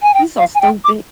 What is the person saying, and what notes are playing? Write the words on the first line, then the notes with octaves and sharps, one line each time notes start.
You so stupid.
G#5
G5
F5
G#5
G5
D6